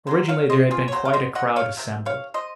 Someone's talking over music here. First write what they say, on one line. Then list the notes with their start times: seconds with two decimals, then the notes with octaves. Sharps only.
Originally there had been quite a crowd assembled.
0.07 C#3 F#3 A#3 C5
0.28 C#5 F5
0.50 C5 D#5
0.71 F4 G#4
0.88 C#5
0.92 C#3 F#3 C5
1.05 F5
1.13 C5 D#5
1.35 D#5 F#5
1.56 C#5 F5
1.77 C3 D#3
2.06 C#5 F5
2.34 C5 D#5